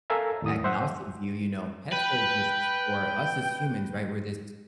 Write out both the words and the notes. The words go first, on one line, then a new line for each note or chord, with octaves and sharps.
more agnostic view, you know, pets are just for us as humans, right, we're this
A4 A#4 E5 F5 G#5 A#5
D#2 A2 D#6
C5 E5 F#5
B4 G5